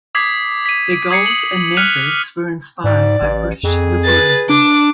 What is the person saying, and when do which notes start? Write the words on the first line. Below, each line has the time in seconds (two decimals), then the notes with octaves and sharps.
Their goals and methods were inspired by British Liberalism.
0.15 D6 D#6 G#6 B6 C7
0.66 B6 D#7
1.11 D#6 G#6 C7 C#7
1.26 D#6 F#7
1.77 F6 F#6 B6 C#7 D#7 F7
2.84 G#2 D5
3.22 A1
3.64 F2 G#4
4.05 B4 A6
4.50 D4 D6